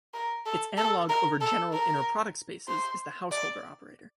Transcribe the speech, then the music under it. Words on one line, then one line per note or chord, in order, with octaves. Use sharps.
Its analogue over general inner product spaces is the Householder operator.
A#4
A4
A4
A#4
A4
A#4
C5
D5